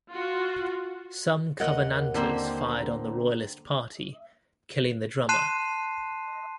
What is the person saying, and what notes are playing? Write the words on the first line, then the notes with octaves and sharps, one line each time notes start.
Some Covenanters fired on the Royalist party, killing the drummer.
F4 F#4
D#2 A#4 D#5 F#5
D3 A#3 C4
A5 C6 F#6 C7 D#7 E7